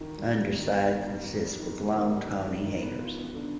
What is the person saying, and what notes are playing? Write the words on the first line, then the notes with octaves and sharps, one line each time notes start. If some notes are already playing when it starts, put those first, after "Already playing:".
Underside consists with long tawny hairs.
D#3
G3
B3
D#3
B3
D#3
G3
D#3
G3
D#3
B3
D#3
G3
D#3
D#3
D#3
B3
F4
B3
D3